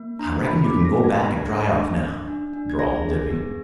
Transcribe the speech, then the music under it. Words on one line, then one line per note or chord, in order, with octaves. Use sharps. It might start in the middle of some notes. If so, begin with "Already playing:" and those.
"I reckon you kin go back and dry off now," drawled Dippy.
Already playing: A#3
D4 A#5
A#3 B5
D6
D4 B6
A#6
A#3
G#6
D4 A#6
G#6
D4 A#6
D4
D4
D4
D4
G#6
G#4 A#6
G#4
B3